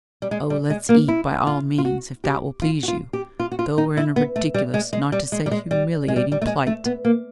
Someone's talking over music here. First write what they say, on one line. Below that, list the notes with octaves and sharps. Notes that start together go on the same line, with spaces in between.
"Oh, let's eat, by all means, if that will please you, though we're in a ridiculous, not to say humiliating, plight."
G3
G#3
G3
G#3
A#3
E4
F4
F4
F#4
G4
F4
F#4
F4
G4
F4
F#4
F4
D#4
E4
B3
A3
G3
G#3
G#3
G3
G#3
G3
G#3
G3
G#3
G3
G3
A3
G#3
A3
B3
A#3